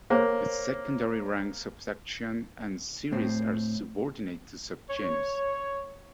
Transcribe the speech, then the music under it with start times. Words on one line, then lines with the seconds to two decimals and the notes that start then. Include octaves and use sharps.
The secondary ranks of section and series are subordinate to subgenus.
0.10 A#3 C5 C#5
3.12 A2 C4
4.90 C#5